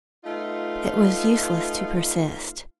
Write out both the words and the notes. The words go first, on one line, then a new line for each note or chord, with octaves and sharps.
It was useless to persist.
A3 B3 D#4 F4